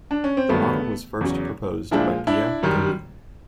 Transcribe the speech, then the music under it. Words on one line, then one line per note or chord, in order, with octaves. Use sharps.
The model was first proposed by Pierre Carreau.
D4
C#4
C4
G2 D#3 F#3 A3 B3
E2 C#3 F#3
A#2 F3 G#3 D4 E4
D4 E4
F#2 D#3 G3